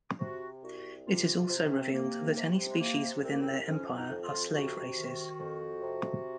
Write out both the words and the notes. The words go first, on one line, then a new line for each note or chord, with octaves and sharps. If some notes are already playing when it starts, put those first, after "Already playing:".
It is also revealed that any species within their empire are slave races.
C3 F#4
C2 F#4
C3 F4
C3 F4
D#4
C#4
C4
C3 A#3
C3
G#3
C3 A#3
C2 C4
A#3
C4
F2 C#4
D#4
F2
F4
C3 F#4
D#3
F2
C3